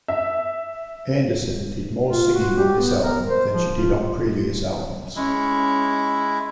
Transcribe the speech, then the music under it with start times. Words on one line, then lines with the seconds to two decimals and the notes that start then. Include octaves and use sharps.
Anderson did more singing on this album than she did on previous albums.
0.08 E5
2.04 F4
2.34 F#4
2.58 G4
2.79 B3
3.03 A#4
3.27 C5
3.52 F3
3.75 F4
5.16 G#3 C#4 E4 C#6